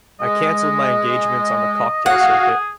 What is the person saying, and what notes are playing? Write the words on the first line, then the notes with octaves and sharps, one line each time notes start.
I cancelled my engagements on the cocktail circuit.
G#3 D#5
F#4 G#4 F5 F#5